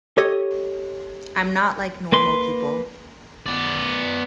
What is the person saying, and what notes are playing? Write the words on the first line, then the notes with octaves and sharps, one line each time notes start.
I'm not like normal people.
G4 A4 C#5 D#5
A#3 B4 C6
B3 D5